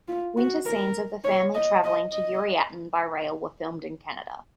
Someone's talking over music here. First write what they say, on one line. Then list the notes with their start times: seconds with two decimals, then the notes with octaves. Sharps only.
Winter scenes of the family traveling to Yuriatin by rail were filmed in Canada.
0.08 F4
0.38 F#4
0.66 A#4
1.25 C#5
1.54 D#5
1.84 D#5
2.13 D#5